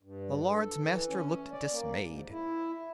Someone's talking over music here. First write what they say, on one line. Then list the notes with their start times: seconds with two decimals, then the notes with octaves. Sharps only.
The Lords-Master looked dismayed.
0.03 G2
0.49 A4
0.85 E3
1.08 C#4
1.52 D5
1.72 A#3
2.04 G#2
2.31 E4